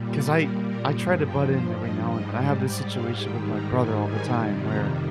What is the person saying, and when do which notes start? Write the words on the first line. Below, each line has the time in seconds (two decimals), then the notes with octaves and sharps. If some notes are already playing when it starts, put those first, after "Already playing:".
'cause I I try to butt in every now and then. I have this situation with my brother all the time where
Already playing: A#2 G3
0.11 D5
0.39 A#4
0.67 A#4
0.95 G2 F3 G#4
1.24 G5
1.52 C5
1.80 D#5
2.08 G#2 G3 D#5
2.37 C5
2.64 D5
2.93 F5
3.21 G#2 D#3 G3 G5
3.49 A#5
3.78 G#5
4.06 G#5
4.35 F2 C3 D#3 G3
4.63 A#5